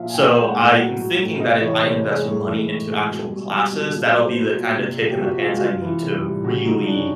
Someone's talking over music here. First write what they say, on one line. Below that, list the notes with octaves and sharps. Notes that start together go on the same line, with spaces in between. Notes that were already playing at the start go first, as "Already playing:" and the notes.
So, I'm thinking that if I invest money into actual classes, that'll be the kinda kick in the pants I need to really,
Already playing: A#2 F3 E5 F5
G#5
A#2 G5
G#3 G5
F#5
A2 G5
F#3 F#5
F#3
A2
C3 D#5
E3 C#5
C3 C5
A#4
G#3
G#4
A2 G#4
E3
A2
G#3
B2
G3
G3
B2
A#2
F#3
C5
F#3 B4
A#2
C3
F3
G4
C3 F#4
G#3 F4
F#4
C3 F4
E3
C3
G3
C#3 F#4
F3 D#4
C#3 D4
C#4